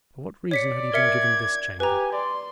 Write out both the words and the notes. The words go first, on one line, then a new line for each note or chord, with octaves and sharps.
For what reason had he been given this chamber?
C#5 D5 B6 C#7
A#4 E5 G#6 C#7
G4 B4 G#5 A#5
D5 C6